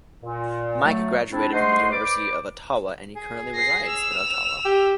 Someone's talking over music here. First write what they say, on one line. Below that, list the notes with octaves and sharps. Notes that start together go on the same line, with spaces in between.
Mike graduated from the University of Ottawa and he currently resides in Ottawa.
A#2
F#3 A3
C4 D4 E4
G#2 A3 C5 D#5 F#5 C6
B4 C5 D5 D6
G#4
A#6 C7
E6 F7
G4